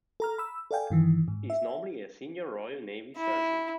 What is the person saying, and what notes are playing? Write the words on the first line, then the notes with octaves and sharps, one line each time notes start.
He is normally a senior Royal Navy surgeon.
A4 A#5 F6
B5 E6
A4 D5 F5 G5 G#5
G2 D#3 E3
G#2
E5
E4